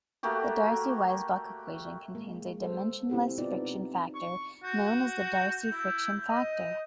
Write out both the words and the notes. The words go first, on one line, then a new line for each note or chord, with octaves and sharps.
The Darcy-Weisbach equation contains a dimensionless friction factor, known as the Darcy friction factor.
A3 A#3 F#4 G4
G#3 A#3
A4 C5
C4 E4 G4 A4
B3 C4 D#4 F4 D5
C#6
F#4 G6
E4
D#5